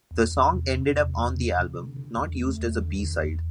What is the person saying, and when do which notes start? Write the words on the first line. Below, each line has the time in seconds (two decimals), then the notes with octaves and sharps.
The song ended up on the album, not used as a B-side.
0.11 E2
0.32 E2
0.52 C3
0.72 C3
0.93 E2
1.14 E2
1.34 C3
1.55 C3
1.75 D3
1.96 D3
2.17 E2
2.37 A3
2.58 E2
2.79 D3
3.00 E2
3.20 E2